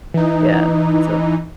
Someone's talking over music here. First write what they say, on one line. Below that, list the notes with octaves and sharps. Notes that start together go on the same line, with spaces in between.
Yeah, so
E3 D#4